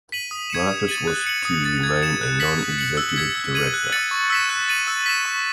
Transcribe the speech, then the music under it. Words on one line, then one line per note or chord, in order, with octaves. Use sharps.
Marcus was to remain a non-executive director.
B6 D#7 F#7
D#6
G#6 C#7 E7
D#6
A6 D#7 F#7
F#6
C#7 F#7
D#6
A6 C#7
G#6
C#7 E7
F#6
B6 F#7
G#6
C#7 F#7
E6
G#6 B6
E6
G#6 D#7 F#7
F#6
A6 C#7 F#7
C#6
E6 B6 E7
F#6
A6 D#7 F#7
E6
B6 E7
C#6